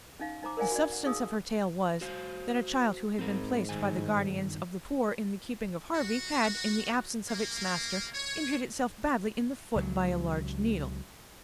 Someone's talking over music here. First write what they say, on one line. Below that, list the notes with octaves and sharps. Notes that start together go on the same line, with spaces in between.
The substance of her tale was, that a child who had been placed by the guardians of the poor in the keeping of Harvey, had, in the absence of its master, injured itself badly in the foot by a large needle.
C#4 D#4 F5
D#4 C5 A#5 D6
A#4 C5 D5 F5 F#5 G#5
F#4 D5
F#5
C#4 D#4 G#4 F5 D#6 E6
F#4 C5 F5
G#2 C4 A#4
G2 D#3 G#5
F#4
A#3
C#5
C#2 F#3